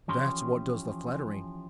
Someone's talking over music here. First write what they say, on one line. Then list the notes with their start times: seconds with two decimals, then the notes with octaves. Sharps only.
That's what does the flattering.
0.08 E3 F3 C#4 G4 C6